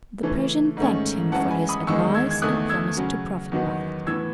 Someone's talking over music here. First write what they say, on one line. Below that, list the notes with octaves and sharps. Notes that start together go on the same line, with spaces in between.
The Persian thanked him for his advice, and promised to profit by it.
C#3 E3 A3 C#4
G#2 D#3 A3 C#4
F#2 E3 G#3 C#4 F#5 A5
G#5 B5
B5 D#6
E2 D#3 G#3 C#6 E6
E6 G#6
G#6
E2 D#3 A3 D#6 F#6
E6 G#6
C#3 F#3 C#4
E2 D#3 F#3 B3
A2 E3 B3 E6 G#6